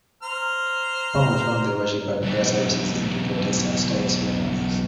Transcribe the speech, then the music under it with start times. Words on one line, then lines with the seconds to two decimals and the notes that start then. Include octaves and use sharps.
Hong reformed the worship and prayer services into Protestant-style ceremonies.
0.23 C5 A#5 F6
2.22 B1 E3